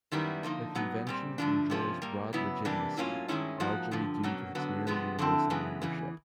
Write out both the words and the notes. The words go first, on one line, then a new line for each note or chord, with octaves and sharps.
The convention enjoys broad legitimacy, largely due to its nearly universal membership.
F#2 D#3 G3 B3 E4
D3 F3 A#3 D#4
B2 F#3 B3 D#4
A#2 G3 C4
G2 D3 F3 A3 D4
C3 F3 A#3 C#4
A#2 G3 A#3
C#3 F#3 B3 E4
C3 E3 G3 A#3 D4
A2 F#3 A#3 C#4 F4
G2 D#3 G#3 C#4 E4
G#2 F3 A#3 D#4 F#4
G2 D3 F3
B2 F#3 A#3 C#4
D3 F#3 B3
C3 F3 G#3 B3
D3 F3 A3 C4 E4
C#3 E3 G#3 B3
E2 C#3 E3